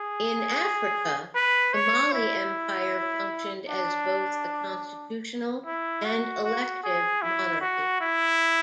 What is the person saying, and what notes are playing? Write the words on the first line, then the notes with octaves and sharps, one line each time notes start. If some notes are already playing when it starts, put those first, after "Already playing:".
In Africa, the Mali Empire functioned as both a constitutional and elective monarchy.
Already playing: G#4
B4
C#5
E4
D4
E4
F#4
F#4
G#4
E4
F#4
E4